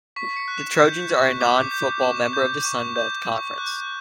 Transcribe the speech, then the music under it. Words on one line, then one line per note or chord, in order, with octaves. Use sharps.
The Trojans are a non-football member of the Sun Belt Conference.
C#6 B6
C#7
F#6
E7
G6
C#6
D6
G6
C#6 E7
G6
C#6
G6
C#6
F#6